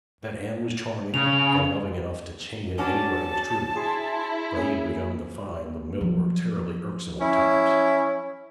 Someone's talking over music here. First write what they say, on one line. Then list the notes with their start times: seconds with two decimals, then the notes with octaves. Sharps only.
That Anne was charming and loving enough to chain him anywhere was true; but he had begun to find the mill-work terribly irksome at times.
1.14 C#3 F7
2.78 C#4 D4 F#4 A5
3.76 E4 G#4 C6
4.56 A#3 C#4 G#4
6.01 F3 F#3
7.21 C#4 E4